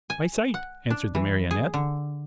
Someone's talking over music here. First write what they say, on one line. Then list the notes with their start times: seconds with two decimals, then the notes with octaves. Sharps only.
"By sight!" answered the Marionette.
0.10 G#5
0.54 F#5
0.90 D4
1.15 E3
1.51 G#4
1.74 D3